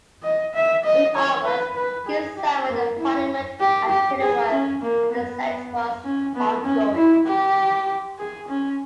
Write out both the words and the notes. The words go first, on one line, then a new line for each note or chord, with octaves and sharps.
In August, the king summoned a parliament at Kenilworth, where the siege was ongoing.
D#5
E5
D#5
C#5
B4
B4
G#4
G4
A#3
E4
G4
G4
G#4
C#4
A#3
B3
C#4
B3
C#4
E4
G4
G#4
C#4